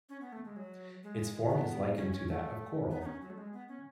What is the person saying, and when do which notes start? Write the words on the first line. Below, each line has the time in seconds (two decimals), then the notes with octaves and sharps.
Its form is likened to that of coral.
0.09 C#4
0.21 B3
0.32 A3
0.45 G#3
0.56 F#3
1.03 G#3
1.50 B3
1.96 C#4
2.13 C#4
2.28 A3
2.91 B3
3.01 D#4
3.06 C#4
3.22 F#3
3.30 A3
3.38 G#3
3.53 B3
3.68 C#4